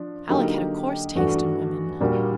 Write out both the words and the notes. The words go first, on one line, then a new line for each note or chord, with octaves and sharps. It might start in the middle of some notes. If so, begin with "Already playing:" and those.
Alec had a coarse taste in women.
Already playing: F3 D4
D3 F#3 A#3 D#4 G4
G2 E3 A3 D4 F#4
A#2 G3 A#3 D4 F#4